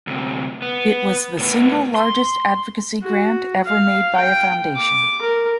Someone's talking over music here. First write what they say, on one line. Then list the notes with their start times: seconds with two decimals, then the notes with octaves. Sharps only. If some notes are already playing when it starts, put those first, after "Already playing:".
It was the single largest advocacy grant ever made by a foundation.
0.07 D2 C3
0.62 B3
1.38 A2 B3
1.95 C6
3.02 F#4
3.66 F5
4.16 G5
4.75 D6
5.21 A#4